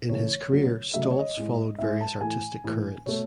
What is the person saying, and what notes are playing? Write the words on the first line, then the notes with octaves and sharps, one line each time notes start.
In his career Stolz followed various artistic currents.
C#3 E3 A3 C#5
C#3 F#3 A3
C#3 F#3 A3 E5
D#5
C#5
D#5
A2 G#3
A2 G#3 E5
A5
A2 E3 A3 G#5
A2 E3 A3
B2 A3 C#5